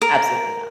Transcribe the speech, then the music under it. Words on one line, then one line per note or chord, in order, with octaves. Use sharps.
Absolutely not.
A#4